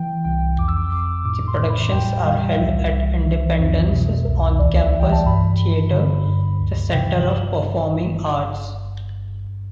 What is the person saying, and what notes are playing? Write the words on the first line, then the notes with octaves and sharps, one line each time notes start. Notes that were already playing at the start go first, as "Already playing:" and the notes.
The productions are held at Independence's on-campus theatre, the Center of Performing Arts.
Already playing: E3 G5
C2 G5
F2 D6
E6
D6
F2 D6
A2 D6
C6
A2
B5
E2 G5
G3 F5
C2 E5
C2
E3
F2
B2
C2
D2 D5
E5
E3
G5
A5
G2 B5
G2
D3
G2
D2
C3 G5
G2
G2